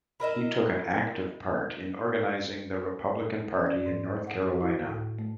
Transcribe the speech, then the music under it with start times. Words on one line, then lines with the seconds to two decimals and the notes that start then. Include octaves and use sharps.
He took an active part in organizing the Republican Party in North Carolina.
0.20 E4 A#4 D#5 E5
3.54 C#4
3.66 D5
3.86 G#2
4.27 F#5
4.42 F#4
4.61 E4
4.83 A2
5.19 A3